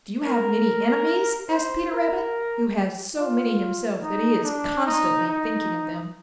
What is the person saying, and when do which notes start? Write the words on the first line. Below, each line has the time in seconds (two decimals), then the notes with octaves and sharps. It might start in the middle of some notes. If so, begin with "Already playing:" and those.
"Do you have many enemies?" asked Peter Rabbit, who has so many himself that he is constantly thinking of them.
0.24 A#4
1.50 C5
1.92 A#4
3.18 F4
4.02 D#4
4.43 D4
4.86 D#4
5.28 D#4